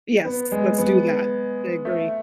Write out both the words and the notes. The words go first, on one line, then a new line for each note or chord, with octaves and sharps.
Yes. Let's do that. I agree.
B3
G#3
B3
A3